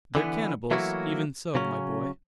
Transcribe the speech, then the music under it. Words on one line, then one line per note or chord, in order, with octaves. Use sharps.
"They're cannibals even so, my boy."
D3 E3 B3
E3 F#3 A3 A#3 E4 F#4
C#3 F#3 C#4